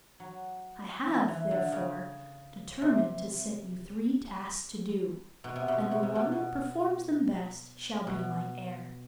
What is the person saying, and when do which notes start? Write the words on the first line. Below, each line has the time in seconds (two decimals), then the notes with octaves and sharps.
I have, therefore, determined to set you three tasks to do, and the one that performs them best shall be my heir.
0.20 F#3
1.07 F3
1.28 E3
1.51 D3
1.72 C#3
2.82 C3
5.44 B2
5.56 C3
5.68 B2
5.80 C3
5.91 B2
6.03 C3
6.15 B2
6.32 B2
8.07 B2